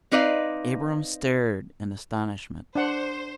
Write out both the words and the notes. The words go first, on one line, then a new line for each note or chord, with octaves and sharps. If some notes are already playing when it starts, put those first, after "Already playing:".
Abram stared in astonishment.
C4 D#4 B4 D5 D#5 F5
D4 C5 F#5